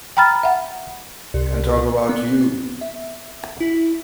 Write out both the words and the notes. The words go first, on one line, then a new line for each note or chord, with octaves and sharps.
And talk about you?
G5 A#5 B5 F6 A6
E5 F#5
C2
B3
E5
E4